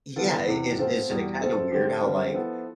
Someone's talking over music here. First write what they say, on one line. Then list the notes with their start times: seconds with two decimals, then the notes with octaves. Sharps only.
Yeah, it is isn't it kinda weird how, like,
0.16 E3 B3 F4 A4
0.47 E2 C3 E3
0.79 B2 A3 C4 F4 A4
1.09 E2 B2 G3
1.41 F3 C4 F4 A4
1.72 D3 A3 C4 G4
2.02 D3 G3 C4 F4
2.34 F3 B3 E4 A4